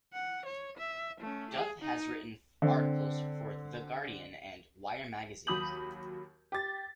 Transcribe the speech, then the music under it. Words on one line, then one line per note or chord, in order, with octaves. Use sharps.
Duff has written articles for "The Guardian" and "Wire Magazine".
F#5
C#5
E5
A3 C#4
G#4
D#4
D3 C4
D#2 F#3 B5 D#6 G6 F#7
G4 A6